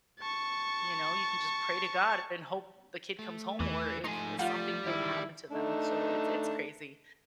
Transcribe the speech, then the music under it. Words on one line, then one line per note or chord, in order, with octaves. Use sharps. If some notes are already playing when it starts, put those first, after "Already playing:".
you know? You can just pray to God and hope the kid comes home, or if, eh, something doesn't happen to them, so it's it's crazy.
A5 C#6
A3
E2 E3
F3 A3 D#4 G#5 C6
G3 F4 F5 F#5 F6
D#3 E3 G#3 E4
A3 D4 D#4